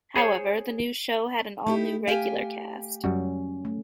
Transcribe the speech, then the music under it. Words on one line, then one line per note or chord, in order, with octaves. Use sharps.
However, the new show had an all-new regular cast.
G#4 C5 C#5
A3 D#4 E4 G4
G4 F5 G5 G#5
F#2 G3 C#4 F#4
A3